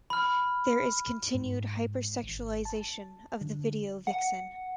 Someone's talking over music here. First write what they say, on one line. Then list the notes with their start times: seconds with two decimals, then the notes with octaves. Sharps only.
There is continued hyper-sexualization of the video vixen.
0.10 B5 F6
1.34 G#2
2.24 G#1
2.65 A5
3.41 D3
4.07 F#5